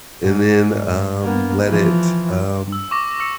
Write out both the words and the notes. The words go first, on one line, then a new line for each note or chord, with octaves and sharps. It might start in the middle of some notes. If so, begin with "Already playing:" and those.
and then, um, let it, um
G#2
A#3 B3
E3 F3
E6
C#6 D6 A#6
E6 C#7